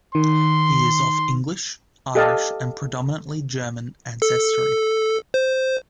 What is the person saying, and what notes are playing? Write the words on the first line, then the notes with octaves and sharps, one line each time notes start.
He is of English, Irish, and predominantly German ancestry.
D#3 C6
G4 A4 D#5 F5 A5
A4
C5